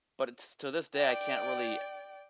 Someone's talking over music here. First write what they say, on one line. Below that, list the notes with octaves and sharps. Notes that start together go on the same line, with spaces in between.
but to this day, I can't really
D5 G5